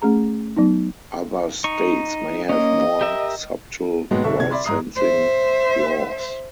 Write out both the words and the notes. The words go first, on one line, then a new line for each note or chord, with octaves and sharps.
Other states may have more subtle licensing laws.
A3 C#4 G#4 A#5
F#3 B3 D#4
D#4 C#6
A#3 C#4 D#5
G4 A#4 E5
D#2 G#2 B2 F#3 G#3 B3
F1 B1 D3 D4 E5 C#6
C2 C3 G#6
D5 E5 B5 C6
G#2 A#5 D#6 C7
C5 E5